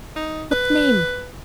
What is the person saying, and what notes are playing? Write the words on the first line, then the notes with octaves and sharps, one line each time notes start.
"What name?"
D#4
B4